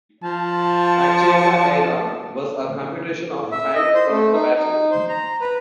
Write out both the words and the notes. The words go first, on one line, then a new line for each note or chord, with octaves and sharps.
Actiaca Aera was a computation of time from the battle.
F3 A5
E5
D#5
C5
A3
D#4
D#4
C5
A#5
B4